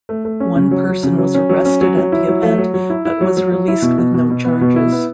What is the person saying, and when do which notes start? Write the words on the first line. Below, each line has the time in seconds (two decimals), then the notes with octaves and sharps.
One person was arrested at the event but was released with no charges.
0.09 A3
0.25 A3
0.40 C#4
0.56 C#3
0.71 F#3
0.87 F#3
1.03 C#3
1.18 F#3
1.35 C#4
1.49 F#3
1.65 C#4
1.81 F#3
1.97 F#3
2.12 E4
2.28 F#3
2.43 A3
2.58 F#3
2.74 F#3
2.90 E4
3.05 E4
3.21 F#3
3.37 F#3
3.52 F#3
3.68 E4
3.82 B2
3.98 B2
4.14 B2
4.30 B2
4.45 B3
4.61 B2
4.76 E4
4.92 B3